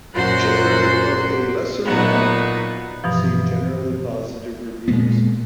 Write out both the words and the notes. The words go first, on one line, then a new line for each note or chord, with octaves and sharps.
"Children of a Lesser God" received generally positive reviews.
F#2 A#2 F#4 C5 C6 F#6
A#2 F#3 B3 D#4 F#4
G2 B2 E3 F3
A#2 G#3 A#3 B3